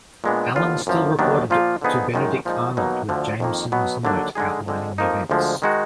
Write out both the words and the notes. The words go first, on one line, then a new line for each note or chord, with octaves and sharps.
Allen still reported to Benedict Arnold with Jameson's note outlining the events.
A#2 G#3 B3 D4
D#2 D3 F3 B3 F4
F#2 F3 A#3
D#2 D#3 F#3 B3 D4
A#2 F3 A#3 F4
D3 F3 B3 D#4 G#4
F#2 D#3 G#3 D#4
A#2 F3 G#3 D#4
B2 F#3 A#3 D#4
D2 D3 F3
F2 D#3 A#3
B2 F#3 B3
D#2 D3 F#3 A#3 D4
D3 G#3 D#4 G#4
F2 D3 G#3
F2 F3 A#3 D#4
D2 D3 F3 G#3
D#3 G#3 D#4 F#4